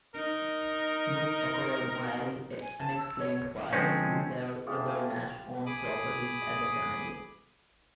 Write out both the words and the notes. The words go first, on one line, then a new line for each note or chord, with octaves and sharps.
This occurred while unexplained fires befell other Nash-owned properties at the time.
D#4 A#4
G#5
A5
E6
C#5
D3 F3 G#3 C4 C#4
A3 C#4 E4 F4 G4 G#4 F5 D#6
G#4 B5 D6 D#6